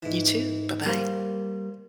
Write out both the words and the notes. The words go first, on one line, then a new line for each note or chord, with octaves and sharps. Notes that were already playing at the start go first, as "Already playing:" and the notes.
You too. Bye-bye.
G#2 E3
G3 A#3 C5 F5